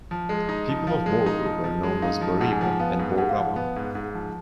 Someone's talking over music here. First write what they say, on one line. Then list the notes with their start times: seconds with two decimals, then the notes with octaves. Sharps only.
People of Borgu were known as Bariba and Borgawa.
0.11 F3
0.29 G#3
0.49 D#4
0.69 F3
0.87 F3 F5
1.06 G#3
1.26 D#4
1.45 F3
1.64 F3 D#5
1.83 G#3
2.02 D#4 F5
2.21 F3
2.41 G#2 F#5
2.52 G#5
2.61 F3 F#5
2.80 B3 F5
2.99 G#2
3.18 G#2 F#5
3.29 F5
3.38 F3 F#5
3.56 B3
3.76 G#2
3.95 G#2
4.14 F3